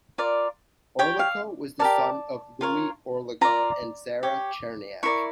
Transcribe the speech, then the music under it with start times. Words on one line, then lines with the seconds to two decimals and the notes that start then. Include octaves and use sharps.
Orlikow was the son of Louis Orlikow and Sarah Cherniack.
0.18 F4 A#4 D5
0.99 G4 C#5 G5
1.19 F5
1.79 G4 A#4 D5 A5
2.61 F4 A#4 C#5
3.41 F4 A#4 D5 A#5
4.23 G4 C#5
5.03 E4 A#4 D5 C#6